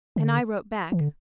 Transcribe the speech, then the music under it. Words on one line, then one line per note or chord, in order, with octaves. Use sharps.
And I wrote back.
D3
E3
D3